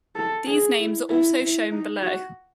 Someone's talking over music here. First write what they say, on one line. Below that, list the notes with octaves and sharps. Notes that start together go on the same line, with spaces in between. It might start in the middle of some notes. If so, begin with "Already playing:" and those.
These names are also shown below.
A4
G#4
E4
E4
E4
D#4
F#4